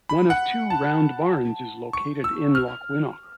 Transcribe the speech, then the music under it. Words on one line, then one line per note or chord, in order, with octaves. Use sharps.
One of two round barns is located in Lochwinnoch.
B5
F#5
A5
C#6
E6
F6